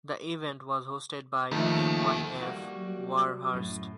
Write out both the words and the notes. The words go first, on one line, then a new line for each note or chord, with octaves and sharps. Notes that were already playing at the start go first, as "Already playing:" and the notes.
The event was hosted by Myf Warhurst.
D#2 D#3 F3 A3
G3 A#3 F#4
F#3
F#2 A2